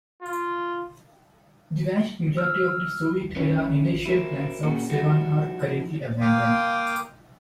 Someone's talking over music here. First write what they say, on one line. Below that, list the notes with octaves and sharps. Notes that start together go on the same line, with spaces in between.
The vast majority of the Soviet-era industrial plants of Sevan are currently abandoned.
F4
E6 F6
C#4 E4 B4 C#5
E4 F#4 G4 A#4 C5
A#2 C#3 A#3 F#4
F3 G3 D#4 E4 F#4
A#3 F5 G5 C6 D6 D#6